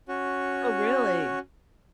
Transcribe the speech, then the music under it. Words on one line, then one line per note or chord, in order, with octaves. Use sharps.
Oh, really?
C#4 F#4